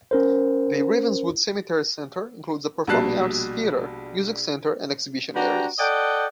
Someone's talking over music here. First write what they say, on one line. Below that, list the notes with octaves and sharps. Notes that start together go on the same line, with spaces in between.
The Ravenswood Centenary Centre includes a Performing Arts theatre, music centre and exhibition areas.
C#4 A#4 C5
A#1 B2 G3 A5 F#6 C7
D4 F#4 G4 B4 G5 A#5
A4 D5 D#5 F#5 G5